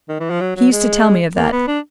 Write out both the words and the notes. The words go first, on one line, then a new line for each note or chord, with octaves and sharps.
He used to tell me of that.
D#3
E3
F3
F#3
F#3
G#3
A#3
B3
D4